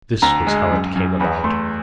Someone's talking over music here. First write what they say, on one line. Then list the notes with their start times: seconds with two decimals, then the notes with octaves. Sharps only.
This was how it came about.
0.22 D2 A#5
0.47 G#3
0.71 F#2
0.96 F#2
1.20 E2 B5
1.44 A3 C6